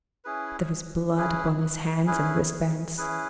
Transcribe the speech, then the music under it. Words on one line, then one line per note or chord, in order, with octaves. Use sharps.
There was blood upon his hands and wrist-bands!
C#4 E4 G#4 B4
C#4 E4 G#4 B4
C#4 E4 G#4 B4
C#4 E4 G#4 B4